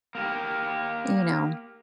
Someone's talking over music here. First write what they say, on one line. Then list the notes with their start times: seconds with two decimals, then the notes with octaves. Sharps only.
you know
0.15 A#3 G4